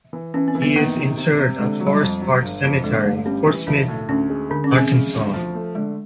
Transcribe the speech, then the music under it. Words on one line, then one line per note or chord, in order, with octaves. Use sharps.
He is interred at Forest Park Cemetery, Fort Smith, Arkansas.
E3
E3 C#4
C4
E3
B3
D#3 A#3
C3
C3
C3
D3 G#3
F#3
G3
F2
F#3
G1
F2
D3 G#3
A#3
G1 A3
G3 C#4
E3
B1 D3 D4
A2
D2 C#4
G#3
D3 G#3 D4
C#4
G#3
C4
C#3
D2
F3
A3
D3 G#3